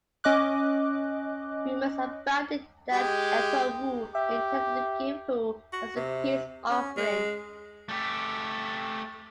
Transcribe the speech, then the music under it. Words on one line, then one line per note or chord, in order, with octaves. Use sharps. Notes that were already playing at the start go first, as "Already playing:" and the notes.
Rumors abounded that Emperor Wu intended to give Hou as a peace offering.
C#4 D#5 D6 F#6
G#3 G4
G4 E5
F#4
C3
C#4
G#3
A3 G4